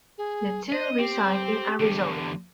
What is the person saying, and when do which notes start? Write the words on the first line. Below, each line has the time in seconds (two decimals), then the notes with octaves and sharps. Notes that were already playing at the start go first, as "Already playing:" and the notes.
The two reside in Arizona.
0.18 G#4
0.72 C5 D#5
0.99 C4 G4
1.80 E2 D3